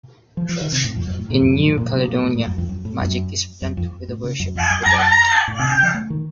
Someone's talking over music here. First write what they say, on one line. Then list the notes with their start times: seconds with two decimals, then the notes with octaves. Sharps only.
In New Caledonia, magic is blent with the worship of the dead.
0.37 F3
0.49 F3
0.61 D#3
0.72 C3
0.84 A2
0.96 F2
1.07 F#2
1.19 A2
1.30 A#2
1.42 F#2
1.53 F#2
1.65 A2
1.77 A#2
1.93 C3
2.08 A#2
2.24 A2
2.35 A2
2.47 F#2
2.58 F2
2.69 F#2
2.85 A2
3.01 F#2
3.62 F#2
3.77 F2
4.08 A2
4.24 C#3
4.40 F#2
4.56 F2
4.70 F#2
4.86 F#2
5.48 A2
5.59 C3
5.72 C#3
5.83 F3
5.94 A3
6.10 D#3